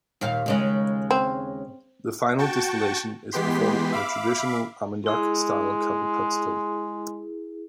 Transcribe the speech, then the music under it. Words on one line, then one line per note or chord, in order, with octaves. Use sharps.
The final distillation is performed in a traditional Armagnac style copper pot still.
D#2 A#2 F5
D#2 C#3 G#3
C4
F#4 G5 A5 C#6
E3 G#3 B3 G4 C6 B6
E5 F5 B5 D6
G#3 E4 G#4